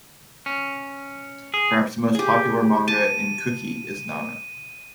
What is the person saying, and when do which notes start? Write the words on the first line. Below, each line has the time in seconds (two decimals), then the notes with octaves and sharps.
Perhaps the most popular manga in "Cookie" is "Nana".
0.46 C#4
1.54 G#4
2.15 G4 G#4
2.88 A5 D#7